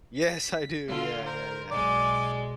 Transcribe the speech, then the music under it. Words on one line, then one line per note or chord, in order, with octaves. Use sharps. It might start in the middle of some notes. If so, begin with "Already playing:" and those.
Yes, I do, yeah, yeah, yeah.
B6
D3 F4
A#4 C5
B1 G#3 D5 D6